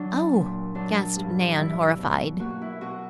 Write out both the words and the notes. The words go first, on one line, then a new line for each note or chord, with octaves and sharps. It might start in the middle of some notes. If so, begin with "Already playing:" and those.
"Oh!" gasped Nan, horrified.
Already playing: F#3 D4
A#2
F#3 D4
G2
G3 E4
B2
A#3 F#4
E4
B2 F#4